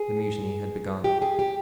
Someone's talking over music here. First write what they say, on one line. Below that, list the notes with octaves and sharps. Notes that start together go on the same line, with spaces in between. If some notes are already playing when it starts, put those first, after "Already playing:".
The mutiny had begun!
Already playing: G#4
G4
G#4
G4